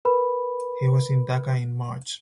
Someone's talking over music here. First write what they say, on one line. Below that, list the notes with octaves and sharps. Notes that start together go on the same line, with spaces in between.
He was in Dhaka in March.
A#4 B4 B5